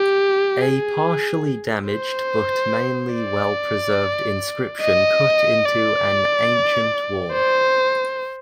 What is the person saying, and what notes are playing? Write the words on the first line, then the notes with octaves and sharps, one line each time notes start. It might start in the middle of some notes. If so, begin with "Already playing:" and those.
A partially damaged but mainly well preserved inscription cut into an ancient wall.
Already playing: G4
G#4
C5
D5
D#5
D5
C5